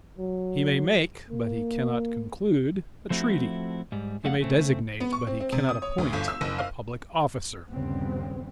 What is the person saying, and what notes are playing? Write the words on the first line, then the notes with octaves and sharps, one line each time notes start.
He may make, but he cannot conclude, a treaty; he may designate, but he cannot appoint, a public officer.
F#3
A#3
F3 A3 C4 E4 F#4
G#2 G3
F2 A3 A4 D5 F5 F#5
C#3 A3 C4
B3
C#6
C4
C4
C3
D#6
C#5
D2
G1
E6
F#1
F5
G1 D#2 C#3 G3 B3 C4